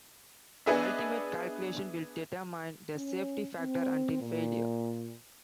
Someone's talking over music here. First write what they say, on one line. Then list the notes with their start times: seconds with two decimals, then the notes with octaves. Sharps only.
The ultimate calculation will determine the safety factor until failure.
0.66 B3 D4 G#4 B4 D#5 E5
2.95 C#4
3.58 C4
4.21 A#2